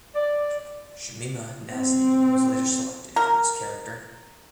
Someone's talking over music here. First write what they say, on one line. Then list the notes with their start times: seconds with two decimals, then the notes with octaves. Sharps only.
Shamima Nazneen was later selected for this character.
0.15 D5
1.72 C4
3.16 A#4